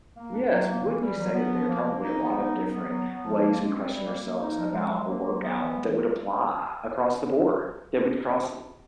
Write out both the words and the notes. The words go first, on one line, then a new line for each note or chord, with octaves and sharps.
Yes. Wouldn't you say that there are probably a lot of different ways we question ourselves about a workout that would apply across the board, that would cross
A#3
D4
F#3
A#3
E3
G3
F#3
B3
F3
A#3
A#3
D#4
B3
D#4
F#3
B3
F#3
B3
F3
A#3
G#3
C4
G3
A#3
A#3
D#4
F3
G#3
F#3
A#3
F#3
B3
E3